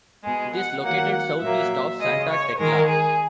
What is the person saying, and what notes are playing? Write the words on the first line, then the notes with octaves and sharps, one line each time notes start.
It is located southeast of Santa Tecla.
B2 G#3 G#4
F#5
D#3 F#3 A#3 F#5
A#2 F#3 A#3 E5
C#3 G#3 D#5
C#5
D#3 G#3 A#4
G#4